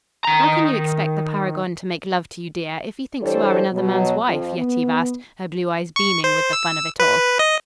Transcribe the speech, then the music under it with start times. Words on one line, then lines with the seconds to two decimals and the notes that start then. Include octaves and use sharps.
"How can you expect the paragon to make love to you, dear, if he thinks you are another man's wife?" Yetive asked, her blue eyes beaming with the fun of it all.
0.25 D#3 A#5
3.21 E3 G3 D4 A4 C5 C#5
3.72 B2 F#3
4.27 F2 F3
4.57 B3
5.96 C#6
6.24 C5
6.53 E6
7.00 B4
7.39 D#5